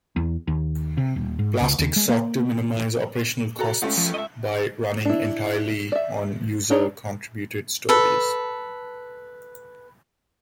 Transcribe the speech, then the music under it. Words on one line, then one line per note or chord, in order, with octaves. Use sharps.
Plastic sought to minimize operational costs by running entirely on user-contributed stories.
E2
D#2
C3
D#1
G#2
C#2
D#2
G#3
A#3
F#4 A4 A#5
C#2 A3 C#4
F3
D#5 E5
D4 E4
D5 E5
D4 D#4 C#5
A4 B4